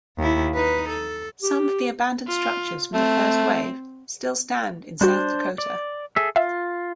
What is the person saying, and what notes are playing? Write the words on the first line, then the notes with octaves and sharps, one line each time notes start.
Some of the abandoned structures from the first wave still stand in South Dakota.
D#2 E4
D#4 B4
A4
G4
F4
A3 C4
G3 D4 F#4 C5
D5
G#4 A4 E5
F4 E5 F5